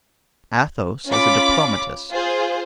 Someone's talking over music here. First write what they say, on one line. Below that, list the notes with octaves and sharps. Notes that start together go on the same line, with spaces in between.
Athos as a Diplomatist.
C#4 F4 B5 D6
F4 G#4 C5